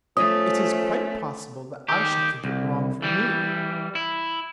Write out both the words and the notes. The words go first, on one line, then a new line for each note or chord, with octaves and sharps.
"It is quite possible that I should think it wrong for me."
F3 A3 C#4 D#6
D#3 G4
C2
E3 G3
E4